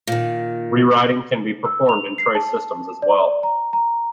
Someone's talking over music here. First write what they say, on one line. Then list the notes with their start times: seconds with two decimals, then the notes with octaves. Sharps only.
Rewriting can be performed in trace systems as well.
0.07 A#2 D#3
1.65 E6
1.89 F7
2.18 C7
2.35 A5
3.02 D5
3.43 A#5
3.73 A#5